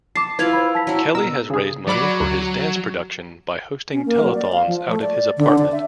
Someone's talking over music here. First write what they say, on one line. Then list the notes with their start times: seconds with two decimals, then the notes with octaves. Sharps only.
Kelly has raised money for dance production by hosting telethons out of his apartment.
0.16 A5 D6 C7
0.39 E4 F4 B4 F5 G#6
0.53 C5 B5
0.75 A5 B6
0.87 F#3 E4
1.15 B2 A#4 E6
1.50 C#3 G#4
1.88 F#3 D5 B5 D6
2.20 D2
3.92 C#4
4.06 A#3
4.23 F#3
4.35 D5
4.53 F5
4.66 F3
4.90 A3
5.02 D5
5.38 D3
5.58 D5
5.72 E5